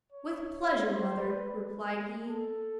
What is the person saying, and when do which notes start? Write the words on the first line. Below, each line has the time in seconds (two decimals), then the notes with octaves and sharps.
'With pleasure, mother,' replied he.
0.12 C#5
0.84 C5
1.21 B4
2.27 A4